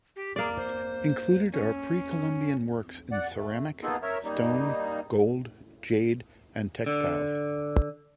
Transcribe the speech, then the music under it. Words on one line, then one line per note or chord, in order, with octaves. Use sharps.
Included are pre-Columbian works in ceramic, stone, gold, jade and textiles.
G4
A#3 G#4 D5
C5
C#4
D5 F#5
A3
A#3 B3 D#4 F4 G#4 A4
A#4 C#5 E5
G3 A#3 D#4
D3